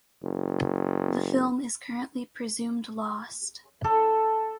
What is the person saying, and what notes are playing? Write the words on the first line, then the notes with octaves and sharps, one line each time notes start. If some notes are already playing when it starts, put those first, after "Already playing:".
The film is currently presumed lost.
F#1
A4